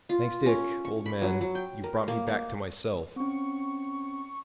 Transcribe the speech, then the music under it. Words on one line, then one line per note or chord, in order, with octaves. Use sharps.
"Thanks, Dick, old man; you've brought me back to myself."
F4
C#4
C#6
B5
F#3
F#3
G5
A#4
A#3
A#3
C4 C#4 C#6